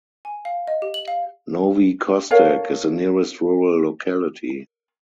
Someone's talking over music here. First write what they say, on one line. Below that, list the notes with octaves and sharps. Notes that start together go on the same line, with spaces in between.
Novy Kostek is the nearest rural locality.
G#5
F5
D#5
G4
F#7
F5
A4 A#4 C#5 F5